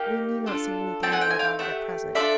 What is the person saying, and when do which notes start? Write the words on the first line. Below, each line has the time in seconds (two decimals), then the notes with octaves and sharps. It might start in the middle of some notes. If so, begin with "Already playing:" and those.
We need not say anything more about it at present.
Already playing: A#3 D#4 G4
0.46 D4 F4 A4
1.03 A3 C4 D#4 G5 A5
1.12 F#5 G#5
1.21 G5
1.30 G#5
1.39 F5 G5
1.59 A3 D4 G4 E5 F#5
2.15 A3 D4 F4 A4 D5 E5